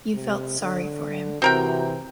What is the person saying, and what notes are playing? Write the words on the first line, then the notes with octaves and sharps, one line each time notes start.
You felt sorry for him.
C3
D3
C3 E3 C4 F#4 A#4 G5